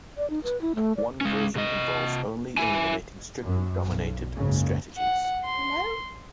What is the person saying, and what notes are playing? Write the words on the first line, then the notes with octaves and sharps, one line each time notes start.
One version involves only eliminating strictly dominated strategies.
D5
D#4
B4
E4
A3
D5
G#3 C#4
C3 D#5
E4 G#5
F#2
B1
F#1 G#2 C#3
F#5
C6